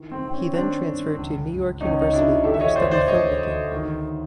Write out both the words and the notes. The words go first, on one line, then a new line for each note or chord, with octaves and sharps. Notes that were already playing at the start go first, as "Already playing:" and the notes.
He then transferred to New York University where he studied filmmaking.
Already playing: D#3 E3
C4
D#3 C4
C#4
D#3 C4 D4
G2
C#2
C#2
C#2 C#4 D#4
D#4
B2 D4 E4
E3 G4 A4
E5
C#5 D#5
D2 C5 D5
C5 D5
D2 C#5 D#5
D2
D#3